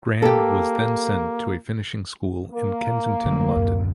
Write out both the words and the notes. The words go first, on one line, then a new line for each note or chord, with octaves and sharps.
Grand was then sent to a finishing school in Kensington, London.
A#3 G4 A4
A#3
D3 G3 A3
D1 F#2